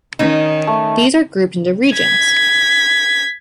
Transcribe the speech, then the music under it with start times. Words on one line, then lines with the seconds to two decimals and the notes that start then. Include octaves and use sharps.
These are grouped into regions.
0.19 D#3 C#4 D#4
0.67 A3
1.93 G#6 B6